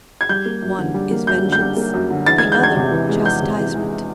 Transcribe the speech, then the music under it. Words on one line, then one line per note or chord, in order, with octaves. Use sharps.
One is vengeance, the other, chastisement.
G#6
G3 G6
A#3
F#2
D3
G3
A#3
F#2 G6
D3
G6
G3
A#3
F#2
D3
E3 A6
G#3 G#6
G6
E2 G#6
C3
E3
G#3
E2 G6
C3
E3
G#3